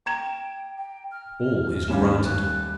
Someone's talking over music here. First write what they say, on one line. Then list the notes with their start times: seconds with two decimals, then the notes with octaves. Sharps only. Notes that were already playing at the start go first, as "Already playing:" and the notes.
All is granted.
0.06 G5 A#5 G#6 E7
0.78 G5
1.11 F6
1.88 D#2 G3 A3 C#4 F5 E7
2.24 F#6